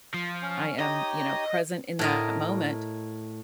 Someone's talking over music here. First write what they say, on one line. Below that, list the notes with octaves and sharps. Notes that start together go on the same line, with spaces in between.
I am, you know, present in that moment
F3
C#4
D#4 G4 C#5 D#5
A2 A#4 D#5